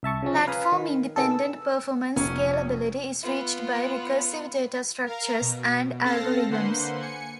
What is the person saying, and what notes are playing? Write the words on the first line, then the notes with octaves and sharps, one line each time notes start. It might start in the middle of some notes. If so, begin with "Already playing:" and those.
Platform-independent performance scalability is reached by recursive data structures and algorithms.
C2 E5 A5 C#6
C#3 F3 C#4
B4 F5 G#5 A#5 B5 D#6
D#3
C3 D#3 B3 G#4 A4
E6
F1 C#4
B3 F4
A#4 F5 A#5
B2
C4 A4 F5 A5 A#6 C7
D3 A#3 B4 C5 F#5 C6
G#5 C#7